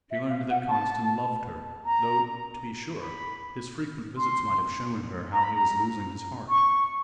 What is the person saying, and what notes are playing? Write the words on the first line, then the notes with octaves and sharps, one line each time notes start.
She learned that Conniston loved her, though, to be sure, his frequent visits might have shown her how he was losing his heart.
E5
F5
F#5
A5
A#5
B5
C6
A#5
B5
A#5
C#6